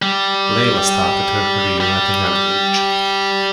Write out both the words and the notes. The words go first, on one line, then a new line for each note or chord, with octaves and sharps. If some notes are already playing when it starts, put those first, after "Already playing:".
Laila started her career at a young age.
G3
G3